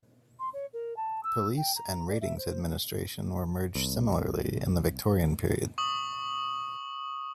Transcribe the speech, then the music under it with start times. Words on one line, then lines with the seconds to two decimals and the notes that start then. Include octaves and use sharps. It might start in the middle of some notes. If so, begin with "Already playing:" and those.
Police and ratings administration were merged similarly in the Victorian period.
0.39 C6
0.53 C#5
0.73 A#4
0.97 A5
1.23 E6
1.57 G5
1.76 A#5
2.09 D5
2.21 E5
2.38 C5
3.75 C2
5.78 C#6 D#6 F#7